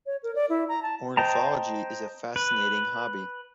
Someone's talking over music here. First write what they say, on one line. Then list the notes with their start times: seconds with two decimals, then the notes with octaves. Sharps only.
Ornithology is a fascinating hobby.
0.06 C#5
0.23 A#4
0.35 D5
0.49 E4
0.68 A#5
0.82 A5
1.17 C5 D#5 G5 A5 A#5
2.36 B4